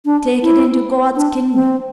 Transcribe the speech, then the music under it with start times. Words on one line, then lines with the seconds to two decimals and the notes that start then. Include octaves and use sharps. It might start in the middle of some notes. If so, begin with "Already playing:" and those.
Take it into God's kingdom!
0.05 D4
0.43 E4
1.16 D4
1.54 C4